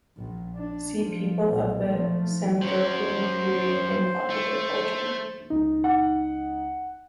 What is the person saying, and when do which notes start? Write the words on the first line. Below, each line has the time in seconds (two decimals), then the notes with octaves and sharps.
See People of the Sengoku period in popular culture.
0.17 A#1 A#2
0.56 D4
1.03 F3
1.50 B1 A#2
1.83 F3 A3
2.62 F#2 F#3 C5
4.30 A3
5.50 C#2 D#4
5.84 F#5